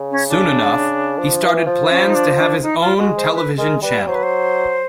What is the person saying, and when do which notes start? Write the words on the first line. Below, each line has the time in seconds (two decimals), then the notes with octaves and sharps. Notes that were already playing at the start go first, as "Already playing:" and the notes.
Soon enough, he started plans to have his own television channel.
Already playing: C#3
0.11 C#4
0.29 D4
1.18 F3
1.43 E3
1.66 F3
1.90 C#4
2.06 D#4
2.15 D4
2.38 D4
2.62 D#4
2.81 F4
2.98 G#3 F#4
3.16 C5
3.35 B4
3.58 G#3 A#4
3.82 G3 B4
4.07 F#3 C5
4.15 B4
4.23 C5